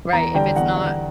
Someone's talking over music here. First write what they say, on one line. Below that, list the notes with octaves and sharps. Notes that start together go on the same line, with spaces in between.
Right, if it's not
E2 A#5
D3 G3 G5
E2 F#5
D3 G3 F#5